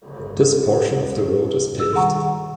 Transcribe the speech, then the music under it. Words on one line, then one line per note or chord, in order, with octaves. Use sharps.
This portion of the road is paved.
G#4 E6
B2 D#3 G3 F#5 A#5 C#6